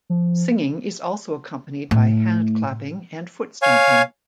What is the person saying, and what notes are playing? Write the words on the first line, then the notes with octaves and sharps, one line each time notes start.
Singing is also accompanied by hand clapping and foot-stomping.
F3
A2
C#5 F5 G#5